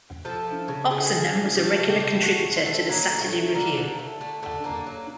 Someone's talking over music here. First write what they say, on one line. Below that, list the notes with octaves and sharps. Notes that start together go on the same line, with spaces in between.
Oxenham was a regular contributor to the "Saturday Review".
F3 A4
A3
C#3
A3 G#4
F3
F3
A3 G4
C#3
G4
A3
A3 F#4
A3
C4
A3
F#3 A#3
D3
A3
F#3
D3 A#3
D3
A3
D3 A3
D3 A3
D3 A#3
F#3